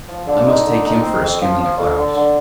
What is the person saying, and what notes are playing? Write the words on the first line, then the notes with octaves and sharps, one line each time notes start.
I must take him for a skim in the clouds.
F3
D3
D#4
D3
D#4
C4
F2
F3
F3
F2
D3
D3